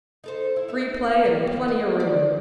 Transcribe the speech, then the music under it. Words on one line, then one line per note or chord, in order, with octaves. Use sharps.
"Free play and plenty of room."
D#4 A4 C5
E4
D#4 E5
D#3 G3
D#5
D5